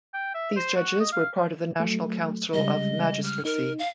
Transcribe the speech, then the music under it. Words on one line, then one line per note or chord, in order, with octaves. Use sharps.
These judges were part of the National Council of Magistracy.
G5
E5
C5
F#4
D#5
F5
F#3 A3
C#3 G3 G#3 D#5
F6
D#4 A#4
F5